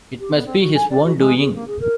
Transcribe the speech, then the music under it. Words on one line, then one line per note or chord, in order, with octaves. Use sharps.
It must be his own doing.
G4
B3
C4
F#4
G#5
D5
F#4
G#3
G#4
A#3
G#4
A#4